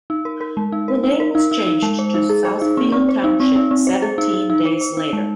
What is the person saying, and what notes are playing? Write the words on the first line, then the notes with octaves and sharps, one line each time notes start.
The name was changed to Southfield Township seventeen days later.
D#4
A#4
A#4
G#3
D#4
A#4
D#4
A#4
D#4
D#4
D#4
G#3
C5
D#4
G#4
C5
D#4
C4
C4
C5
D#4
C4
D#4
C4
C5
G#4
D#4
D#4
D#4
C5
C5
D#4
G#3